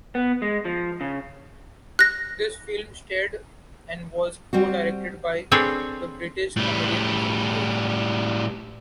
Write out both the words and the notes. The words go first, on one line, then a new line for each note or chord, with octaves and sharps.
This film starred, and was co-directed by, the British comedian Will Hay.
B3
G#3
F3
C#3
F#6 A#6
G3 C4 F#4
C4 D4 G#4 A4 B4 C#5
A2 G3